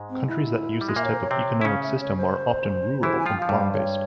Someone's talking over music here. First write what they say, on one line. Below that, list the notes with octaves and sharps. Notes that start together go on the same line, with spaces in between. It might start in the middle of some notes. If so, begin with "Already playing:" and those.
Countries that use this type of economic system are often rural and farm-based.
Already playing: G#2 G#3
C4
E4
G3
G#3
A#2 A#3 E5
C#5
C5
C#5
C3 C4
E4
C#3 C#4 F5
E5
C#5
C5
E3 E4 C5
G#5
F3 F4 G5
F3 F5
G2 G3
C#5